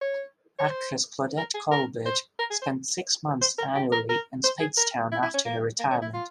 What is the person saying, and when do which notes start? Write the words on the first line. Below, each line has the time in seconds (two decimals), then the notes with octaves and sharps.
Actress Claudette Colbert spent six months annually in Speightstown after her retirement.
0.01 C#5
0.59 C#5
0.69 C5
1.37 A#4
1.54 G#4
1.71 A#4
2.06 C5
2.39 A#4
2.50 G#4
2.62 C5
3.41 C5
3.58 A#4
3.75 G4
3.92 A#4
4.09 A#4
4.44 C5
4.60 G#4
4.77 A#4
5.12 E4
5.23 E4
5.34 C#4
5.45 A#3
5.79 A#3
5.91 C#4
6.02 E4
6.14 F4